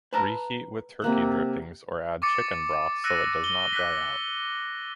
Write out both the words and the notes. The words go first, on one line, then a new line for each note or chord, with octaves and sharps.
Reheat with turkey drippings or add chicken broth so it does not dry out.
B4 A5 A#5
C3 A#3 F#5
C#6 D6 A6 C#7
E6 F#6 A#6 C#7 D#7
G7
F#6 B6